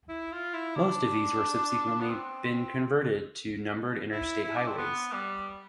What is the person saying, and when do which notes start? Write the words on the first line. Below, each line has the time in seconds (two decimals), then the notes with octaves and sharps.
Most of these were subsequently been converted to numbered Interstate highways.
0.09 E4
0.32 F4
0.53 E4
0.76 D4
2.00 B3
2.10 C4
2.44 C4
4.11 E4
4.44 E4
4.55 D4
4.67 C4
4.78 B3
5.12 G3